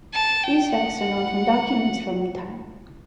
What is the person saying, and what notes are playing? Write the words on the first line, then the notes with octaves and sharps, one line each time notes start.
These facts are known from documents from the time.
A5
G5
F#5